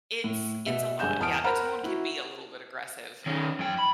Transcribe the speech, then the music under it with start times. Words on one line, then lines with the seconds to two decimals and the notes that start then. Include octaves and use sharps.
It's it's a lot, yeah, the tone can be a little bit aggressive, um,
0.24 A2
0.66 B2 E5
0.99 G1 G#3 F#5 G#5 G6 E7
1.20 E2 A5 D#6 F6 D7
1.44 A#4 C5 F#5 A#5 B5 F6
1.83 E4 F#4
3.26 D#3 C#4
3.59 F#2 G5
3.79 B5